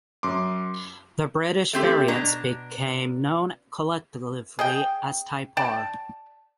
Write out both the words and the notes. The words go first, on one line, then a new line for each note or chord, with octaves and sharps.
The British variants became known collectively as "type R".
F#2 C6 D6
A3 C4 G4
B2 D4 A#5
G#4 D#5 G5
D5 G5 A5